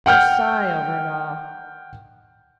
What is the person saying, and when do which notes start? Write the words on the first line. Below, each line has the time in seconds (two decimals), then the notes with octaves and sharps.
'You sigh over it all.
0.06 F#5 G5 F6 G6